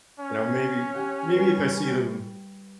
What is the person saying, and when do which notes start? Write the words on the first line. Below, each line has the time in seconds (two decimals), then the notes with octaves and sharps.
you know, maybe maybe if I see them
0.20 C#4
0.93 G4 F#5 C#6
1.35 G3 B4